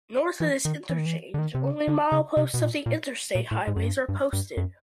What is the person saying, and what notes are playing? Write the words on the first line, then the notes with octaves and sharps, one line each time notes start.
North of this interchange, only mileposts of the Interstate highways are posted.
E3
D#3
E3
D#3
E3
D3
D#3
C3
C#3
D3
C#3
C3
B2
A#2
A#2
A#2
A2
G#2
F#2
G2
G2
G2
F#2